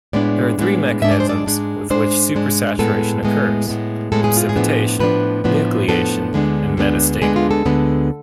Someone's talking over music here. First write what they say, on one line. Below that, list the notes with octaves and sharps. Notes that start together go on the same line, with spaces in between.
There are three mechanisms with which supersaturation occurs: precipitation, nucleation, and metastable.
A2 G#3 B3 D4 D5
A2 G#3 B3 D4
G#2 G#3 D4 E5
D5
C5
D5
G#2 G#3 D4
G#2 G#3 D4 C5
G#2 G#3 D4
A2 G#3 B3 A4
A2 G#3 B3
A2 G#3 B3
A2 G#3 B3 A4
G#4
F4
G#4
A2 F3 B3 D4
A2 F3 B3 D4 B4
A2 F3 B3 D4
A2 F3 B3 D4 A4
D2 D3 G#3 B3 D4
D2 D3 G#3 B3 D4
D2 D3 G#3 B3 D4 G#4
F4
A4
D2 D3 G#3 B3 D4